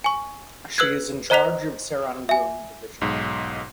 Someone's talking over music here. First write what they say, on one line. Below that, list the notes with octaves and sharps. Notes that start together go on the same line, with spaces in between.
She is in charge of Serangoon division.
G#5 C#6
B4 E6 F#6 G#6
C5 D#5 A#5 F#6 B6 F7
E5 G#5
B1 G#2